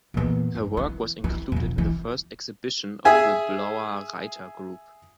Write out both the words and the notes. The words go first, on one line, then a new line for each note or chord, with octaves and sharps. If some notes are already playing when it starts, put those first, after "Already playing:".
Her work was included in the first exhibition of the Blauer Reiter group.
E2 A#2
G2
E3
E3
E1 F3
E3
G#4 E5 G#5